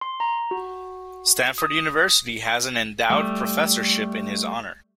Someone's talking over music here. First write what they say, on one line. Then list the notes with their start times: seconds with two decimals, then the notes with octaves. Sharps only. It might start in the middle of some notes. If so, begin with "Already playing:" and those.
Stanford University has an endowed professorship in his honor.
0.01 C6
0.20 A#5
0.51 F#4
1.58 D#6
3.10 G3 A3